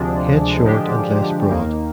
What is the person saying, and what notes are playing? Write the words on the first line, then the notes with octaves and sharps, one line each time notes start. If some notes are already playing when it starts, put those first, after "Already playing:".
Head short and less broad.
Already playing: D2 C3 F3 G#3 D4
D3 F3 G#3 D4 G4
D#2 D#3 A#3